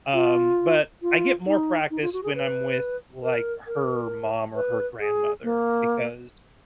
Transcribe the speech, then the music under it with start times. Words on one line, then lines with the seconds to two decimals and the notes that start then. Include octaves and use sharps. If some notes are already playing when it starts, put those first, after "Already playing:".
um, but I get more practice when I'm with, like, her mom or her grandmother because
0.14 F4
1.02 F4
1.46 D#4
1.90 D#4
2.02 F4
2.13 F#4
2.23 G#4
2.35 B4
3.22 A#4
3.67 A#4
4.55 B4
5.00 G#4
5.43 A#3